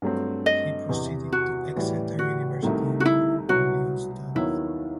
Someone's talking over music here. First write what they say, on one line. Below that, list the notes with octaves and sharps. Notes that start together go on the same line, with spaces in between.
He proceeded to Exeter University in England for legal studies.
G2 F#3 A3 C4
D#5
E2 C3 E3
F#4
A2 E3 G3
F#4
C2 C3 D#3 A3
F#4
E4
C2 B2 F#3 F#4
D#2 D#3 F#3 B3 E4